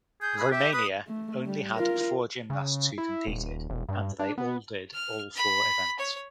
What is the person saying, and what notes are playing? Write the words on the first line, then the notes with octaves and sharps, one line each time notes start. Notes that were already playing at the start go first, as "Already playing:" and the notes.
Romania only had four gymnasts who competed and they all did all four events.
G#4 G6
B5
G4 E5
B4 D#6
A3
G3
F4 A#4
C#3
E4
D#1
E1
G2
D4
B3
F6
B5
C#5